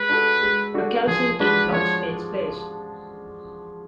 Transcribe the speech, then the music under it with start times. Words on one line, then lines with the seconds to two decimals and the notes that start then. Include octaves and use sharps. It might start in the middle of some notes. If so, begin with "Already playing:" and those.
A calcium influx takes place.
Already playing: G#3 B4
0.09 D4 F#4 A4
0.42 G#3
0.74 D4 F#4 A4
1.07 F3 G#4
1.40 G#3 D4 F#4 B4
1.72 F3 C#5